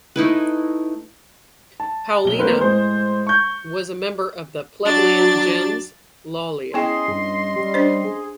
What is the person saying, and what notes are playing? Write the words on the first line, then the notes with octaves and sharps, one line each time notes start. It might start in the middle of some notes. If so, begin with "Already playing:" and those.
Paulina was a member of the plebeian gens Lollia.
A3 D#4 E4 B4
A5
B1 G7
A3 A#3 C4 A#4 B4
A2 G#3 C5
C#6 G6
F#3 D4 A6
B3 C#4 E4 G#4 D#5 G5 C6
G2
G3
D4 C5
G#4